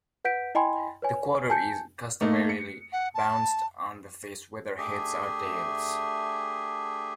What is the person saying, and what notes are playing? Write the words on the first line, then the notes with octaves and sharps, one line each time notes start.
The quarter is customarily bounced on the face whether heads or tails.
B4 F#5 G6 B6 D7
E4 D#5 G5 G#5 B5 C6
B4 C#5 G#5
G#5 A5 G6 C#7
A3 A#3 D#4
C#7
F#5
A5
A3 D4 G4 G#4 E5 G#5